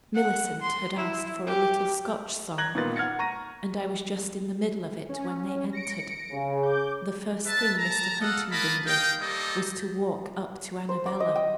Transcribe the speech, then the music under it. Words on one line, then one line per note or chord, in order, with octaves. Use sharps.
Milicent had asked for a little Scotch song, and I was just in the middle of it when they entered. The first thing Mr. Huntingdon did was to walk up to Annabella.
F#5
C6
E4
G4
A#5 F#6 G#6 A#6 F#7
A#2 D#3 B3 F4 A6
F#5 F6 G#6 A6 C#7
A#5 C#6 A#6 D#7
C#4
A#6 C#7 D7
C#3
D6 G6
B4 E5 A5
A5 A#5
A4 D#5 F5 F#5
A#3 A#4 D#5 A5 B5
D#5 F5 G5
G3 A#3 A4 C5 D#5
C5
D6
D#5
G5